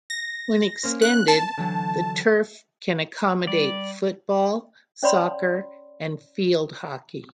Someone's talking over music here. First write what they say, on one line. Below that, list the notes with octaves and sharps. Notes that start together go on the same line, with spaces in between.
When extended, the turf can accommodate football, soccer, and field hockey.
A#6
A#3 C#4 C5
F#6
A5
D3 E3 F#3
G3 D5
C#4 C#5 D5 B5 C6